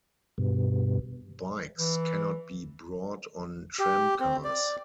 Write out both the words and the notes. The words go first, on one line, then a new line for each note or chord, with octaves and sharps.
Bikes cannot be brought on tram cars.
G2 B2
E3
G4
C4
D5